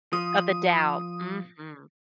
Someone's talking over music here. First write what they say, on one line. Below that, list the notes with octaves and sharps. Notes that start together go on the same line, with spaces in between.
Of the doubt. Mhm.
F3 D#6